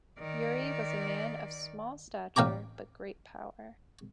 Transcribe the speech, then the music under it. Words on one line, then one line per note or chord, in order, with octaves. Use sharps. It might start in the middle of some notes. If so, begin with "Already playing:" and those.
Urey was a man of small stature but great power.
D#3 D5
A1 F5 G5 A#5 D6